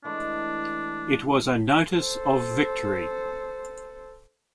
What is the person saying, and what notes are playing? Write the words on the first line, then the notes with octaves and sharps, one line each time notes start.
It was a notice of victory.
E3 G#3 A3 D4
A4 C5